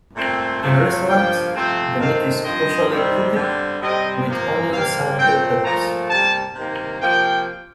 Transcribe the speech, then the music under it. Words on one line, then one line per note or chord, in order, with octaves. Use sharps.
In restaurants, the meat is usually cooked with onions and bell peppers.
A#2 A3 C4
C3 F3 A3
G2 F3 A#3 G5
C3 F3 A3 C4
C3 D#3 A3 C4 F5
G2 F3 C4 D#5
C3 D#3 G3 C4
D3 G3 C4
C3 G3 C4 D#5
C3 F3 A#3
C3 G3 A#3 F5
A#2 A3 C4 G5
A#2 F3 A3 A#5
C3 G3 A#3 A5
C3 D#3 A#3
C3 F3 A#3 G5